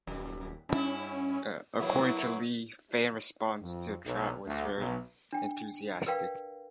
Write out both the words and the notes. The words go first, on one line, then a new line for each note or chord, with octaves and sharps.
According to Lee, fan response to the tryout was very enthusiastic.
D#1 F#2
G2 C#4 E4
F#3 A#3 B3 E4
F2
B1
D2
B1
D4 G5
A#4 B4 D5 F5 G5